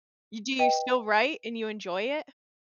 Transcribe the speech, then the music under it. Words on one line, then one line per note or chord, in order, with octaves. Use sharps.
you do you still write and you enjoy it?
B4 D#5 G5